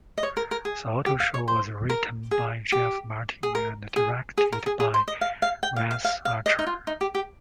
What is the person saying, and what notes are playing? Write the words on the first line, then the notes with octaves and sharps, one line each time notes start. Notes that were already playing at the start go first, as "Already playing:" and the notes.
"The Otto Show" was written by Jeff Martin and directed by Wes Archer.
D#5
C#5
A#4
A#4
G#4
G4
F5
C#5
C5
A#4
G#4
G4
G#4
A#4
G#4
G#4
A#4
G#4
G#4
C5
D#5
F5
F5
G5
F5
F5
F5
F5
D#5
D#4
F4
D#4
G4
G4